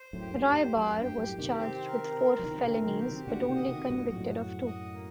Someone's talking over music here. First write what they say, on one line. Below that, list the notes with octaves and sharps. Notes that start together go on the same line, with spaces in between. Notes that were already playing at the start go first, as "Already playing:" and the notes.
Rybar was charged with four felonies, but only convicted of two.
Already playing: C5
F#2 A2
G4
G2 A#2
C5
F#2 G5
G2
G4
F#2 A2
G4
C3 D#3
C4
A#4
C4
F#3
C3 D#3 A#4
A#2 D3
C4
D3 F#3
G4
C3 D#3
A#2 D3 F#4
C3 D#3
D#5
C3 D#3
F#4
G2 A#2
F#2 A2 F#4
F#4
D#5
A#3